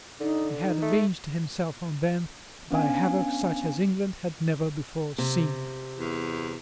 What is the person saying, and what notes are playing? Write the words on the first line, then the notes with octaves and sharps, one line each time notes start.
He had avenged himself on them by havoc such as England had never before seen.
D3 D#4
D#4
A3
B3 C#4 D4 F5 G#5
C3
E2